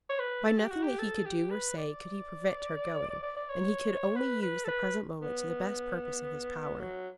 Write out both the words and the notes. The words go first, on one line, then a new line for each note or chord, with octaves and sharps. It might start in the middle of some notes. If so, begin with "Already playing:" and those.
By nothing that he could do or say could he prevent her going, and he could only use the present moment to the best purpose in his power.
C#5
B4
A4
G4
F#4
G4
A4
G4
B4
D5
D5
D5
D5
C#5
B4
B4
A4
B4
B3
F#3